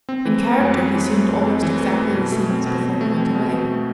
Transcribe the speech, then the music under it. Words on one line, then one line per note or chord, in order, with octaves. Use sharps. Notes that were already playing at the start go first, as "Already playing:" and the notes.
In character he seemed almost exactly the same as before he went away.
C4
E3
A3
F#2
C4
E3
A3
F#2
C4
E3
A3
F#2
B2
A3
C4
B2
B2
A3
C4
B2
B2
A3